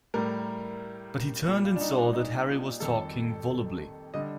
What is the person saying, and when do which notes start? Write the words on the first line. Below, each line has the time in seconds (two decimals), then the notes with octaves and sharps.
But he turned and saw that Harry was talking volubly.
0.14 A2 G3 A#4
1.47 A#2 G3
1.64 F4
1.76 D4
1.81 D#4
1.97 D4
2.13 D#4
2.47 F4
2.80 F2 D#3 G3 A4
4.14 D3 G3 D#5